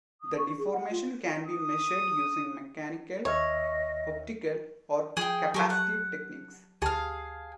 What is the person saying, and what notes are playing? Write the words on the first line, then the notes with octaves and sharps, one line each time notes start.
The deformation can be measured using mechanical, optical or capacitive techniques.
D#6
C#6
G#4
F#5
F4
D#6
D#2 C#5 D#5 E5 F6
F3 G#4 G5
F#3 A3 A#3 G4
F#5
D2 G4 G#4 F5 A5